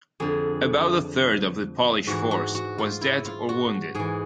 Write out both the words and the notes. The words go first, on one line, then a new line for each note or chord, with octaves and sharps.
About a third of the Polish force was dead or wounded.
F2 D3 G#4
G#2 E3 F#4
F#4
F#4
F4
E4
F4
F#4
G#2 E3 G#4